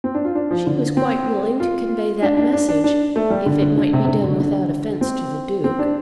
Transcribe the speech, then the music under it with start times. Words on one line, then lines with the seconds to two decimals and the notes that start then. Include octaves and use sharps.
She was quite willing to convey that message,--if it might be done without offence to the Duke.
0.04 C4
0.15 D4
0.25 F4
0.35 D4
0.51 F3
0.67 D3
0.97 C4
1.60 F4
2.22 D4
2.37 D4
2.53 D4
2.69 D4
2.84 D4
3.16 A3
3.30 G3
3.46 D3
3.62 D3
3.77 D3
3.93 C3
4.04 C3
4.08 D3
4.24 D3
4.40 D3
5.01 C4
5.64 C4
5.79 D4